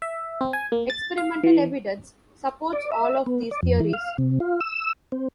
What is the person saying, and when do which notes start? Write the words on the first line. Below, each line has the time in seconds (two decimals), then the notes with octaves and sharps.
Experimental evidence supports all of these theories.
0.02 E5
0.41 C4
0.53 G#5
0.72 A#3
0.90 A6
1.18 F5
1.44 E3
2.73 D5
2.92 E5
3.26 B3
3.51 D5
3.63 F2
3.80 E3
3.93 F5
4.18 C3
4.40 F4
4.61 E6
5.12 C4